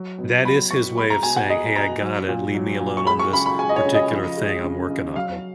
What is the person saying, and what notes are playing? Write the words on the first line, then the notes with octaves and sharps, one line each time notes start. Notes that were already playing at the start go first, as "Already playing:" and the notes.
That is his way of saying, "Hey, I got it, leave me alone on this particular thing I'm working on," right.
Already playing: F#3
B2
F#3 B5
B2 C#6
G#3 B5
A#5
B2 G#5
F#5
G#3 D#5
B2 A#5
F#3
A#2
F#3
A#2
C#6
G#3 B5
C#6
C#3 B5
B5
G#3 G#5
D#5
C#5
C#3
D#5
F3
G#3
C#3
C#3
F#3 F5